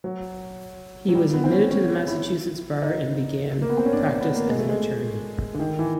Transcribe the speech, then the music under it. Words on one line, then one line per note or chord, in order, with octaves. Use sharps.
He was admitted to the Massachusetts Bar and began practice as an attorney.
F#3
F#3
G3
B3
C4
C#4
C#4
E4
D#4
A#3
B3
C4
C#4
D4
C4
B3
A#3
G#3
A3
G#3
D3
D#3
E3